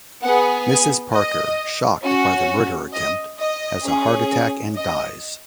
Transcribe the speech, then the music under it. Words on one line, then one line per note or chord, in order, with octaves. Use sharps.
Mrs Parker, shocked by the murder attempt, has a heart attack and dies.
B3 G#4 F#5
G#5
D#5
C#4 F#4
D#5
D#5
C#4 G#4
D#5